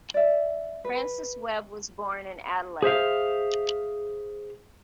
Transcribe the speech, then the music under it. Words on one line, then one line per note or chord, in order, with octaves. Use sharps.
Francis Webb was born in Adelaide.
D5 E5
B4
G#4 C5 E5 F5